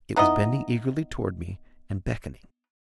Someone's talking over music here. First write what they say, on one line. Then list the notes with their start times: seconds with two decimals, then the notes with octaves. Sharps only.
It was bending eagerly towards me, and beckoning.
0.16 B3 D#4 E4 D#5